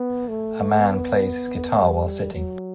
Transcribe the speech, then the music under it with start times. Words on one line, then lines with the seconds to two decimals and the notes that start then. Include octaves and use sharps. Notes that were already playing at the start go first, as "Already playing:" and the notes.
A man plays his guitar while sitting.
Already playing: B3
0.28 A3
0.80 B3
1.82 G3
2.33 F#3